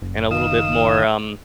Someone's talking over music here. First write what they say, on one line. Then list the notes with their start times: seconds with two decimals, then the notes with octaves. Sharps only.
and a little bit more, um,
0.02 F#1
0.31 D#3 F5 D#6 E7